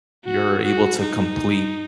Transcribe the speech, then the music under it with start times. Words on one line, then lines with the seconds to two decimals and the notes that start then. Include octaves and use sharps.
you're able to complete,
0.25 F#4
0.63 F#4
1.01 D#4